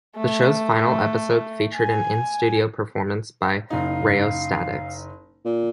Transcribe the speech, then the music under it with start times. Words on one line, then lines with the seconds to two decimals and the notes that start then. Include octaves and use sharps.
The show's final episode featured an in-studio performance by Rheostatics.
0.17 A3
1.76 G#5
3.70 F#1 D#4 F5
5.45 A#2